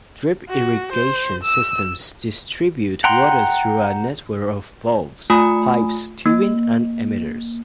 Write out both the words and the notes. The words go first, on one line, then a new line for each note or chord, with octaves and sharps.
Drip irrigation systems distribute water through a network of valves, pipes, tubing, and emitters.
F#4
C5
E6
F#5 G5 A#5 C6
A3 F4 G#5 B5 D#6
A#3